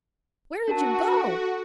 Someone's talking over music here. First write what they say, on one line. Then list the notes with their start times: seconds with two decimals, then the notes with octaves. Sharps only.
"Where did you go?"
0.68 D4 F#4 A#4 A5
1.16 A4